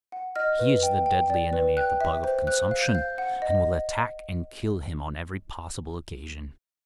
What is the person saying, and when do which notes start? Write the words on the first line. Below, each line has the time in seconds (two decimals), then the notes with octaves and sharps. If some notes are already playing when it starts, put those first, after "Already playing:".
He is the deadly enemy of the bug of consumption, and will attack and kill him on every possible occasion.
0.12 F#5
0.36 D#5 F6
0.59 B4
0.83 G5
1.06 G5
1.30 D5
1.53 B4
1.77 G5 F#6
2.01 E5
2.24 C5
2.47 C5 F#6
2.71 F5
2.83 G6
2.95 F5
3.18 F#5
3.42 D#5